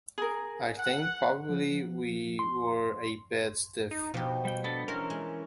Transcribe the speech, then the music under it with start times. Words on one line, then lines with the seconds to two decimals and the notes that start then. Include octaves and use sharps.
I think probably we were a bit stiff.
0.18 G#4 A#4
0.79 F#5
1.50 F3
2.39 C6
3.91 D#4
4.14 B2 F3 G4
4.45 G3 G5
4.64 B3 D4 A4 A5
4.88 E3 G#3 C#4 A#4 C5
5.10 G#3